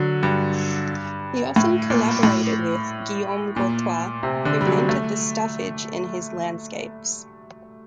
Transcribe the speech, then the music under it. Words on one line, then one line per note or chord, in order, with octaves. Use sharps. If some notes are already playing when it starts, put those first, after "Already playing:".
He often collaborated with Guillaume Courtois who painted the staffage in his landscapes.
Already playing: D3 F#3
G2
A2
A#2
A2
A#2
C3
D3
G3
F#3
A3